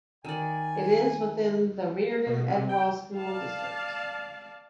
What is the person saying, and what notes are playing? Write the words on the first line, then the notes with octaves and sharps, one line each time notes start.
It is within the Reardan-Edwall School District.
D#3 D5 G#5
B2
C3
G5
D5 F5 A5